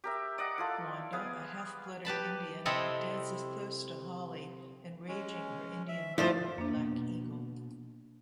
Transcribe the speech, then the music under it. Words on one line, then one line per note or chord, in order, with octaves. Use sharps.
Wanda, a half-blooded Indian, dances close to Hawley, enraging her Indian lover, Black Eagle.
G4 A#4 E5
D5 D#5 F#5
E4 F4 A4
B3 G#4 F5 G#5
G4 B4 A5 B5
C3 C4 E4 A4 D#5
G#3 C#4
E5
G2 F3 A3 E4 F4 C5 D5
F2 A#3 D4
B2